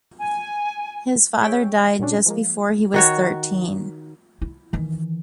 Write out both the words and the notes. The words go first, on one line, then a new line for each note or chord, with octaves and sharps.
His father died just before he was thirteen.
G#5
G#4 C#5 E5 G5
A#2 D3 F#3 C#4 D4
F3 G#3 A#3
D#3 F#4 C#5
E4
D#3 E3